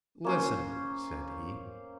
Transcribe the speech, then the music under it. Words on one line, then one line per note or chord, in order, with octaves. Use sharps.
"Listen," said he.
A#3 C#4 C5